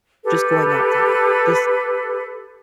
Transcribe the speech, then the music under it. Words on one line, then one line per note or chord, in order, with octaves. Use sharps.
just going outside. Just
G4 A4 B4